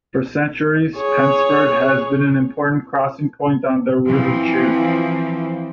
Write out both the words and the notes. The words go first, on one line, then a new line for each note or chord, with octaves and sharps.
For centuries Pensford has been an important crossing point on the River Chew.
G#4 C#5
E3 F3 C4